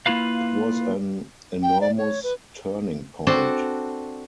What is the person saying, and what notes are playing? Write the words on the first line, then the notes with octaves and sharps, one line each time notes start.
It was an enormous turning point.
A#3 E4 F4 B4 F5
G5
D5
C#5
B4
C4 D4 F#4 A4 C5